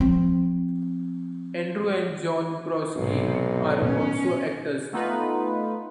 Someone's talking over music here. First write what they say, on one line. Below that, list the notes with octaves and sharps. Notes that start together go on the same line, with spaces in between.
Andrew and John Prosky are also actors.
F3 C4
B1 G#2 C3
A#2 A3 B3 C#4
A3 B3 D#4 F4 B4